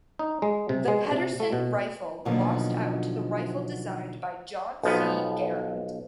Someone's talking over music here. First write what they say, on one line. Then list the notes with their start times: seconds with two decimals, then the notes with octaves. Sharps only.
The Pedersen rifle lost out to the rifle designed by John C. Garand.
0.19 D#4
0.42 G#3
0.69 C3
0.88 G#3
1.11 C3
1.40 A3
1.52 B2
2.25 B2 D3 D#3 F3 F#3 A#3
4.83 B1 F3 B3